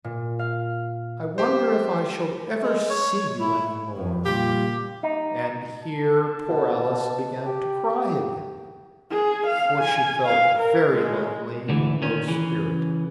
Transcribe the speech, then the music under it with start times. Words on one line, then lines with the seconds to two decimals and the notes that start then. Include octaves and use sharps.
I wonder if I shall ever see you any more!' And here poor Alice began to cry again, for she felt very lonely and low-spirited.
0.04 A#2
0.39 F5
1.38 G4 C5
2.63 G#3
2.89 C#5
3.40 E4
3.95 F2
4.25 A#2 C#3 G3 A#3 F4 G4
5.03 D#4
5.82 A5
6.50 B2
7.46 G4
9.10 G#4
9.46 F5
9.80 G#5
10.26 F5
10.58 A#4
10.94 G#3
11.69 D2 D3 E3
12.02 D#3 C#4
12.28 C#3 E3